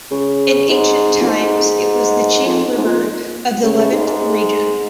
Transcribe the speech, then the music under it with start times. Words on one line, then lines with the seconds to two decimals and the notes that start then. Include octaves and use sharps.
In ancient times, it was the chief river of the Levant region.
0.11 C#3
0.70 G#2
1.21 F2
1.28 G#2
2.45 F2
2.65 G#2
2.77 G#2
2.84 A#2
3.63 C#3
3.77 C#3
3.92 G#2
4.06 G#2